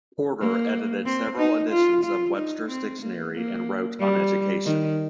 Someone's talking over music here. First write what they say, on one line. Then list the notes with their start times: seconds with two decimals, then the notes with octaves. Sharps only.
Porter edited several editions of Webster's Dictionary, and wrote on education.
0.40 A#3
1.05 C4
1.38 D#4
1.70 F4
2.04 F4
2.36 D#4
2.68 C4
3.02 A#3
3.34 A#3
3.99 G3
4.65 D#3